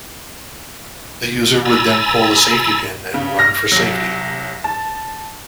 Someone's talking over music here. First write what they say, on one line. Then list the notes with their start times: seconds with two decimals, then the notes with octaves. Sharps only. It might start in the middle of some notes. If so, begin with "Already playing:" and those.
The user would then pull the safety pin and run for safety.
1.65 G#5 A#5 B5 E6 A6
3.14 C#3
3.39 F6 A#6
3.72 C2 F#3
4.64 A5